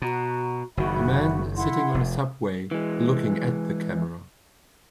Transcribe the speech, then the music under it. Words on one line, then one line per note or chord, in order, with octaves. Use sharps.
A man sitting on a subway looking at the camera.
B2 F#4 A#5
F#1 D#3 F#4 E5 B5
E4 F#5 C6
F1
E3 G#3